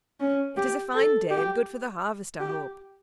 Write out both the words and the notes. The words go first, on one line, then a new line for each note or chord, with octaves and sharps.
It is a fine day, and good for the harvest, I hope.
C#4
G4
A4
G4
G4